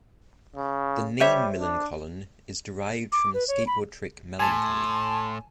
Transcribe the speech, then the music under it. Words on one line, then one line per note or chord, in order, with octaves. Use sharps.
The name Millencolin is derived from the skateboard trick "melancholy".
C#3
G3 C5 C#5 E5
D4
D6
B4
C#5
B5
A2 G#5 A5 C6